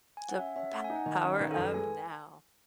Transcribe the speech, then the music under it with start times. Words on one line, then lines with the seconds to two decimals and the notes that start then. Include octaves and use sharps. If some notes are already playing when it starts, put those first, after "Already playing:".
The P Power of Now.
0.17 G#5
0.29 F#5
0.39 C#4 E5
0.56 C#4 E5
0.73 A3 F#5
0.84 G#5
0.90 D#4
0.95 F#5
1.06 D#3 D#5
1.24 C#4 C#5
1.40 D#3 B4
1.51 A4
1.57 F#2
1.63 B4
1.74 G#3 G#5